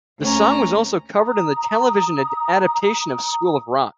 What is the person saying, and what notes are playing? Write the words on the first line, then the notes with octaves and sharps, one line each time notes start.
The song was also covered in the television adaptation of School of Rock.
D2 C#4 A#5
A#5 D#6